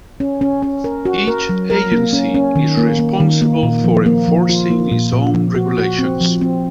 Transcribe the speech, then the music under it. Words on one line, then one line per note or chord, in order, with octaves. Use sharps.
Each agency is responsible for enforcing its own regulations.
C#4
C#4
C#4
A#4
F#4
A#4
F#3
A#4
A#3
C#4
C#4
D#3
A#3
A#3
D#3
A#3
A#2
F3
A#3
F3
F4
A#3
A#2
A#2
F3
F#4
F#4
C4
F3
C4